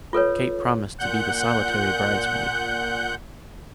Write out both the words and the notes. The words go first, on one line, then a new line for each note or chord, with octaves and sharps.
Kate promised to be the solitary bridesmaid.
F4 A4 B4 C#5
A#2 F#5 F#6 G6